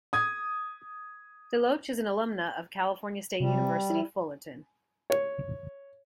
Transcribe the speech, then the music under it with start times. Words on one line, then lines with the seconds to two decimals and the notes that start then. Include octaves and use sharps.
DeLoach is an alumna of California State University, Fullerton.
0.13 D#6 G#6
3.40 C3 G3
3.90 E4
5.10 C#5